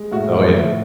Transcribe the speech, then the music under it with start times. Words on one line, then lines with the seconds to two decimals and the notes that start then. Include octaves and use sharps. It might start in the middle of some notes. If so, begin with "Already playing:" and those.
Oh, yeah.
Already playing: G#3
0.12 A2 F#4
0.33 F3
0.54 A2